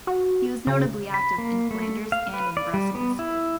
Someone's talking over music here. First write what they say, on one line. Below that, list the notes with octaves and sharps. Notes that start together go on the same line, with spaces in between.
He was notably active in Flanders and in Brussels.
F#4
C#3
B5
A#3
A3
F5
B4
D5
G3
B3
E4